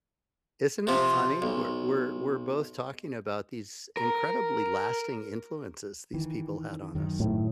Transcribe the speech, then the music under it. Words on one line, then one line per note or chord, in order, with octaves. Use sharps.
Isn't it funny? We're we're we're both talking about these incredibly lasting influences these people had on us.
C3 F3
B1
A#4
D#3 E3
F#2 D#3
A2